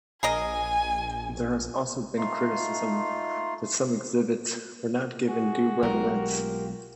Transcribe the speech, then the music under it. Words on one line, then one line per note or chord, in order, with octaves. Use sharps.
There has also been criticism that some exhibits were not given due reverence.
A#1 G#4 A#4 D#5 G#5
A3 D#4 F4 C6
F#4 G#4
B1 G#3 F4 G4 A#4